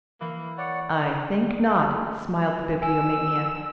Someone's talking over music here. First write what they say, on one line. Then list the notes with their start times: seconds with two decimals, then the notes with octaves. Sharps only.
"I think not," smiled the Bibliomaniac.
0.21 E3 A#3
0.58 C#5 D5 F#5
2.82 G#5 E6